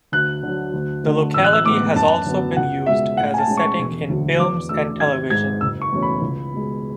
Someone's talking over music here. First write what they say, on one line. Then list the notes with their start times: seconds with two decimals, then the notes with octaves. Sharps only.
The locality has also been used as a setting in films and television.
0.12 D2 F#6
0.43 D3 F#3
0.74 D2
1.04 D3 A3
1.34 A1 E6
1.44 F#6
1.53 E6
1.64 A2 G#3 B3 D6
1.96 F#2 A5
2.25 D3 F#3 B3
2.57 C#2 F#5
2.86 B2 G#3 E5
3.17 A2 F#5
3.34 G#5
3.38 A5
3.48 G#3 C#4
3.57 C#6
3.79 E1
4.09 D2 D3 F#3 A3
4.39 E2 D6
4.69 B2 A3 D4 E6
5.00 G#1 G#6
5.30 G#2 G#3 G#6
5.61 F#1 E6
5.82 C#6
5.92 E2 B2 A3 C#4
6.02 B5
6.22 C#2
6.53 B2 G#3